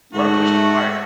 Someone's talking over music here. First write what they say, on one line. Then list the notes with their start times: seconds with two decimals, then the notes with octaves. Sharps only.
You oughta push the cart.
0.14 G#2 A3 F#4